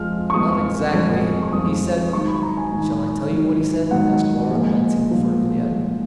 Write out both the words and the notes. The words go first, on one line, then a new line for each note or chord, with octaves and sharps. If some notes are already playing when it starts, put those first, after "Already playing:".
"Not exactly, he said--shall I tell you what he said?" asked Laura glancing furtively at him.
Already playing: F2 F3 G#3 F6
C#6
F2 F3 G#3 D#6
F2 F3 G#3
C#6
F2 F3 G#3 D#6
G#2 D#3 F#3 C#6
B5
A#5
G#5
G#2 D#3 F#3 G#5
G#2 D#3 F#3
G#2 D#3 F#3 F#5
A#2 F3 G#3
A#2 F3 G#3
A#2 F3 G#3